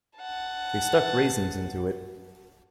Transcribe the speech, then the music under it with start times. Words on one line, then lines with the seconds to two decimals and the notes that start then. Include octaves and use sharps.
They stuck raisins into it.
0.17 F#5 A5